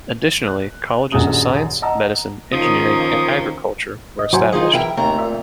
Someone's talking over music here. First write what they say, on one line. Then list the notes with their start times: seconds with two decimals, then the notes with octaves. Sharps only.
Additionally, colleges of Science, Medicine, Engineering and Agriculture were established.
0.47 F#6
1.12 D#1 A#1 F#2 G#3 F#4 D#6
1.82 D#5 F#5 A5 A#5 E6
2.52 D#3 F3 A#3 C#4 D#6
4.19 D#5
4.33 F#3 E4 C5 G#5
4.52 D#3 D#4 F4 G#4
4.73 E3 E4 A#4 G5
4.97 D#2 A3 C4 A#5
5.19 A#2 E5